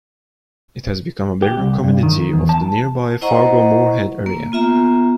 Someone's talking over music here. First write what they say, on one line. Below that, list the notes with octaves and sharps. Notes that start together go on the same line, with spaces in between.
It has become a bedroom community of the nearby Fargo-Moorhead area.
G4
C2
G2
D#3
E2
A5
E4 C5 D#5 F#5 A#5 C#6
A#3
B3 F4 E5 A#5